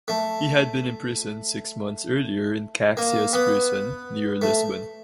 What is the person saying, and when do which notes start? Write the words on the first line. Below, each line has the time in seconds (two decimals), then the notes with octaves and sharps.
He had been imprisoned six months earlier in Caxias prison near Lisbon.
0.08 A3
2.97 A#3
3.33 B3
4.42 A3